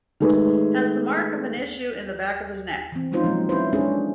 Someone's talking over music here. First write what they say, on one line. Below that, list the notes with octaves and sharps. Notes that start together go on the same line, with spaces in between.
Has the mark of an issue in the back of his neck.
D#3 G#3 A3 G#4 B4
E3 C4
F3 G#3 C#4 D#4 F4 C5
F3 F#3 G#3 A#3
C#4 E4 B4 C5
G#3 C#4 D4 G#4 A4